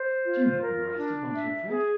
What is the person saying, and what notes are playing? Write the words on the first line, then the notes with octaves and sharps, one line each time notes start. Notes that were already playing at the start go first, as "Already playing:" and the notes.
"Did you have them arrested, Monsieur Fred?"
Already playing: C5
F4
A#4
D4
E5
G#4